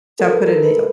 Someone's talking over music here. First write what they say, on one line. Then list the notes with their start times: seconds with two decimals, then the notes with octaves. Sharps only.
So I'll put in the oh.
0.19 A4 A#4
0.33 B4
0.46 A#4
0.50 A4
0.65 B4